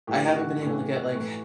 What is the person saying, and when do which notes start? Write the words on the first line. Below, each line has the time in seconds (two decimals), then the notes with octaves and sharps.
I haven't been able to get, like,
0.07 A2 E3 G4
0.34 F#4
0.62 A2 E3
1.15 A2 E3